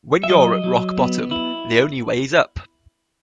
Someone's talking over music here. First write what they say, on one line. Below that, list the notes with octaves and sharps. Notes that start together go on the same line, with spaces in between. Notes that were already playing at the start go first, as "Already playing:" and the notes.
When you're at rock bottom, the only way is up.
E5
F#3 D#5
F#3
B3
E4